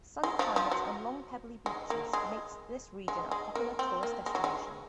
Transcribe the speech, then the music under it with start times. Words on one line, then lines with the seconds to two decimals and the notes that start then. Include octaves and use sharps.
Sunny climate and long pebbly beaches make this region a popular tourist destination.
0.23 G#3
0.39 F3
0.56 F3
0.71 F#3
1.66 G#3
1.90 A#3
2.13 G#3
3.08 G#3
3.31 G#3
3.55 A#3
3.79 C4
4.03 A#3
4.26 G#3
4.35 F#3
4.44 G#3